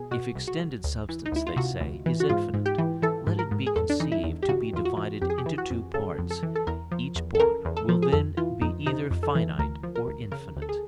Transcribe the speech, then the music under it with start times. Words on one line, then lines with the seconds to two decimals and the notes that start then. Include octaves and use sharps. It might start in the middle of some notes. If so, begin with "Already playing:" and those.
If extended substance, they say, is infinite, let it be conceived to be divided into two parts; each part will then be either finite or infinite.
Already playing: B2 G#4
0.11 B2 F#4
0.35 C2
0.47 F#4
0.60 C2
0.84 D2
1.09 E3
1.26 D#4
1.32 D2 E4
1.47 F4
1.56 C3 F#4
1.80 D2
2.06 E3
2.20 F#4
2.29 G#2 F4
2.54 G#2
2.66 G4
2.78 E3
3.02 E3 A4
3.27 G#2
3.39 A#4
3.51 G#2
3.66 G#4
3.76 E2 A4
3.89 D4
4.00 E3 D#4
4.12 E4
4.23 E2
4.42 G4
4.49 C#3 F#4
4.73 E2 F4
4.85 F#4
4.97 E3
5.22 F2 G4
5.30 G#4
5.38 G4
5.46 E3
5.58 F#4
5.70 F2
5.94 C#3 A4
6.18 F2
6.30 A4
6.43 E3
6.55 A4
6.67 E2 A#4
6.91 F3
7.15 E2
7.35 A4
7.39 C#3 A#4
7.65 E2
7.77 A4
7.89 F3
8.02 G#4
8.12 F2 A4
8.37 E3 F4
8.61 F2 D#4
8.86 C3 D#4
9.11 F2
9.23 A4
9.35 E3
9.58 D2 A#4
9.83 F3
9.96 A#4
10.07 D2
10.32 C#3 A#4
10.56 D2
10.62 A4
10.69 G#4